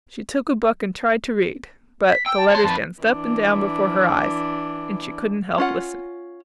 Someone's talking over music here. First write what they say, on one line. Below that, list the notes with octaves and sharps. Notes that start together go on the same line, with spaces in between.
She took a book and tried to read, but the letters danced up and down before her eyes, and she couldn't help listening.
B6
G5 E6
A5
C#5 C6
F2 B4 A5
E3 D4
C#4 F4 F#5